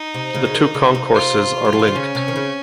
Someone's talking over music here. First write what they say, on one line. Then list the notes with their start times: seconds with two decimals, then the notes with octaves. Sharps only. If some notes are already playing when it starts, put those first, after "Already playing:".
The two concourses are linked.
Already playing: D#4
0.14 C3
0.35 C#3
0.45 C#3
0.54 D#3
0.74 C#3
0.95 C3
1.14 F4
1.65 G#3
1.73 F#3
1.79 F3
1.88 D#3
1.95 C#3 C#4
2.15 C3
2.28 D#3
2.36 C#3